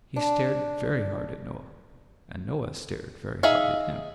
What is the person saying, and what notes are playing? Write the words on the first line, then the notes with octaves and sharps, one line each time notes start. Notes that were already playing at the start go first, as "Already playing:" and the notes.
He stared very hard at Noah, and Noah stared very hard at him.
D4
D#4 G#4 E5 F5